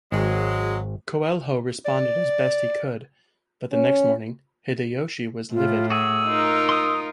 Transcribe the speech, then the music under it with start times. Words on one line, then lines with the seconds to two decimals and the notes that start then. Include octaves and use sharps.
Coelho responded as best he could, but the next morning Hideyoshi was livid.
0.12 G#1 F#3 G#3
1.85 D5
3.72 C#4
5.54 A2 F4
5.90 F#4 G#4 E6
6.26 D#4 F4 A#4
6.69 C6 D#6